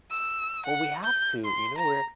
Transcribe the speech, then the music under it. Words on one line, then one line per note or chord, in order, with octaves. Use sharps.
Well, we have to, you know, we're
E6
F#5
G6
C6
A#5